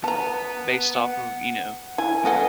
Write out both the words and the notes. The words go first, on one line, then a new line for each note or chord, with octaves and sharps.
based off of, you know,
B3 A5 A#5
F#5
E4 G#5
B3 C#4 A4 B4 D#5 F#5